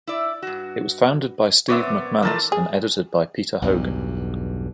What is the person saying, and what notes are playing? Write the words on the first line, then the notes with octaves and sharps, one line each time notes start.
It was founded by Steve MacManus and edited by Peter Hogan.
E4 D5
G2 F#4
A#2 B3 C4 C#5 D5 E5
E3 F3 A3 A#4 A5
G#4
B1 E2 G2